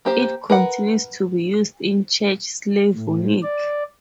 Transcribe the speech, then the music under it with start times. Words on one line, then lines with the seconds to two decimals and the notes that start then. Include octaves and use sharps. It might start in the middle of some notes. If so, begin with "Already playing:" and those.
It continues to be used in Church Slavonic.
0.05 A#3 G4 C5
0.50 A#4 B4 F#5
2.94 A2
3.43 D5